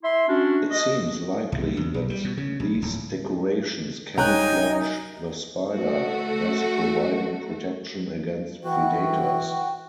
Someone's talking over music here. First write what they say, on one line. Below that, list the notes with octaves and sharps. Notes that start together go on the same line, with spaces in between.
It seems likely that these decorations camouflage the spider, thus providing protection against predators.
E4 E5 C6
C#4 D4 F#4
D#5
C2
E2
B1
G3
B2
C#3
A#1
D1
C2 D#4 C#5 G5 G#5 A#5 F#6
A3 F#4
E3 F#4 G5